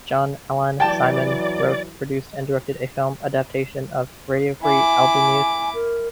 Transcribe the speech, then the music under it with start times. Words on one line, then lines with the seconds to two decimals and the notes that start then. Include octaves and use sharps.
John Alan Simon wrote, produced and directed a film adaptation of "Radio Free Albemuth".
0.80 E3 F#3 D5 G5 A5
4.63 E4 G#5 D6
5.74 A#4